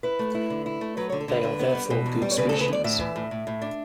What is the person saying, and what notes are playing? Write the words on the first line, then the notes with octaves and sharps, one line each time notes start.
They are therefore good species.
E4 B4
A3
E4
D3
E4
A3
F#3 B4
D3 C#5
A4
D3 B4
D3
B3
G3
B2
E2
G3
C#5
C#3 B4
D2 A4
B4
D2 D5
A2 E5
E3
A2
A2
A2
D4